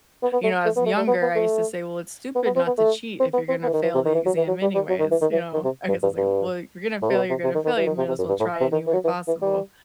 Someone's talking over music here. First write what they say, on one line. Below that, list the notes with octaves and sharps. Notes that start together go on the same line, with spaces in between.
You know, as younger, I used to say, "Well, it's stupid not to cheat if you're gonna fail the exam anyways," you know? I guess I was like, "Well, if you're gonna fail, you're gonna fail, you might as well try any way possible."
B3
B3
A3
A3
B3
A3
G3
B3
B3
A3
B3
B3
C4
B3
A3
C4
B3
C4
B3
E3
D#3
E3
C3
D#3
E3
F#3
E3
F#3
G3
G3
F#3
D#3
E3
D#3
E3
D#3
C3
G2
G2
G2
A2
C3
B2
C3
C3
D#3
D#3
E3
D#3
C3
C3
F#2
G2
A2
C3
D#3
E3
F#3
E3
E3
G3